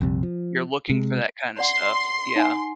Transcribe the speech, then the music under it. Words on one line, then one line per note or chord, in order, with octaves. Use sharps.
you're looking for that kinda stuff. Yeah.
A#1 F2 C3 G3
F3
C3 G#3
D5 F#5 C6
D#4 F#5 G#5